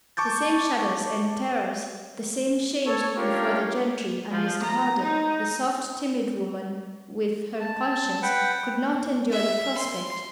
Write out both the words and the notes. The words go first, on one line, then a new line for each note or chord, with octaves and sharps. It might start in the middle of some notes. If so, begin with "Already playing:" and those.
The same shudders and terrors, the same shames before the gentry and Mr. Harden!--the soft, timid woman with her conscience could not endure the prospect.
A5 C#6 D6 G6 A6
A4 C#5
C#4 D4 F4 G4 A#4 C#5
F3
A#5
D#4
A5
B4 F#5 G5
E5
C6